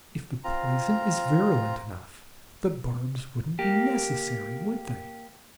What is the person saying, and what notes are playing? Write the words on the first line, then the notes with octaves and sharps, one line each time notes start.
If the poison is virulent enough, the barbs wouldn't be necessary, would they?
C4 F4 A#5
A#3 G4